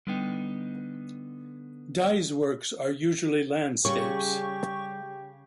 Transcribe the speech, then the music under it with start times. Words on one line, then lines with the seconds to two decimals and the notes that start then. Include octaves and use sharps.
Dai's works are usually landscapes.
0.07 D3 G3 B3 D#4 G5
3.85 C#3 G3 G4 C#5 C#6